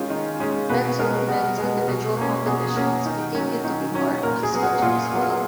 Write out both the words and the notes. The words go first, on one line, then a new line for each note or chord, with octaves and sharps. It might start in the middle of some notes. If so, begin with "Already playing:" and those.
Men's and women's individual competitions continued to be part of the schedule as well.
Already playing: D#3 G#3 C#4 F4
D#3
G#3 C#4
B2 B4
G#3 B3 A#4
B2 F#4
G#3 B3
B2
A#3 C#4
B2 G#4
A#3 C#4 A#4
D#3
F#3 C#4
D#3
F#3 C#4
A#2 A#4
G#4
F#3 B3
F#4
F#4
A#2 F4
F#3 B3